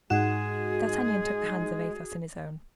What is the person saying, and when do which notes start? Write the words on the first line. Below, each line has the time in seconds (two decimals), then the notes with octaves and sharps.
D'Artagnan took the hands of Athos in his own.
0.10 G#2 G#3 D#4 F#4 G#4 F#5 E7